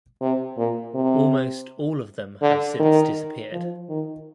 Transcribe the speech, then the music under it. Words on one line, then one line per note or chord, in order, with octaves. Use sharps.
Almost all of them have since disappeared.
C3
A#2
C3
D3
D#3
F3
D#3